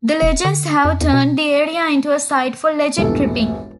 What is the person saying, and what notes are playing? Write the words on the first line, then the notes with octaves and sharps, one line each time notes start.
The legends have turned the area into a site for legend tripping.
E1
D3
F2
E2
B2
E1 A#1 E2 G2 B2 A4